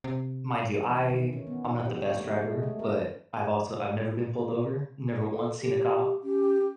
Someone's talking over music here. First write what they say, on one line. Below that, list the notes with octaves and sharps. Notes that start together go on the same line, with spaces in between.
mind you, I I'm not the best driver, but I've also I've never been pulled over. Never once seen a cop.
C3
E3
D#3
C#4
B3
D#4
G4
C#5
A3
G#3
A3
A#4
A4
G4
C#4 G4